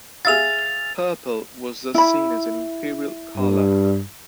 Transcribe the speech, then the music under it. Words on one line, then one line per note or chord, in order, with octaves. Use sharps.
Purple was thus seen as an imperial colour.
G#4 E5 F5 A6 F7
E4 B5
G2